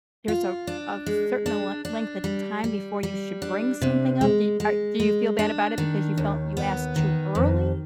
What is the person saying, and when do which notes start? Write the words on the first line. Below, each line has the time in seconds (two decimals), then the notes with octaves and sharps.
there's a a certain le length of time before you should bring something up, do are do you feel bad about it because you felt you asked too early?
0.28 F4
0.67 D4
1.06 G#3
1.46 D4
1.85 D4
2.24 G3
2.64 G3
3.03 G3
3.42 D4
3.81 C3
4.21 G#3
4.60 G#3
5.00 G#3
5.39 D4
5.78 D#3
6.18 D#2
6.57 B3
6.96 D#3
7.35 F2